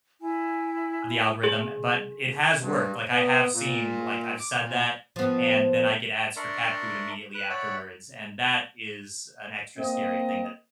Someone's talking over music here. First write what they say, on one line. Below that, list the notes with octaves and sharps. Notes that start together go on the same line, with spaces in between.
of the algorithm, but it has worked, like, I have seen like, I've said that, and then I get ads for cat food immediately afterwards, and that is an extra scary thing that
E4 G#5
G#4
G2
B3
A#2
D6
A#2
F3 B3
D4 A#4 D5 E5 C6 C#6
B4 F#6
C#5 D5 E5 F#5 B5
A#3 C4 D#5